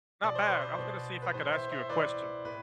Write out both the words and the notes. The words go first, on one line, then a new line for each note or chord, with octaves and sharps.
Not bad. I was gonna see if I could ask you a question.
B2 D5
C5
B4
C5
B2
B4
A2 E3 C5
C5 E5
C5 E5
A2 E3 B4 D5
A2 B4